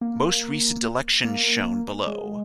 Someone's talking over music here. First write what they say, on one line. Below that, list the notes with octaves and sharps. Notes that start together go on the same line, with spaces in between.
Most recent election shown below.
A#3
A#3
G#3